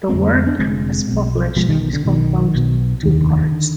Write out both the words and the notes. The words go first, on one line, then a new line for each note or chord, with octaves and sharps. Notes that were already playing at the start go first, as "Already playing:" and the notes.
The work as published is composed of two parts.
F1 F2 D3 G#3 C4
G3 B3
G#3 C4
B3 D4
F1 F2 D3 G#3 C4
B1 B2
B1 B2 F3 G#3
D#3 G3
D#3
D3
B1 B2 D#3
B1 B2
F1 D#2 D3 D#3
D3